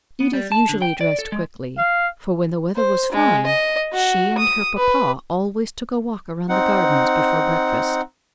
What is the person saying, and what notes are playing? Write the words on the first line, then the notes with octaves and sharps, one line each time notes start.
Edith usually dressed quickly, for, when the weather was fine, she and her papa always took a walk around the gardens before breakfast.
B3
G3
A5
D3
G5
D5
A4
G#3
F5
C5
G#3
D#5
F#4
D#6
B4
C4 D#4 F#5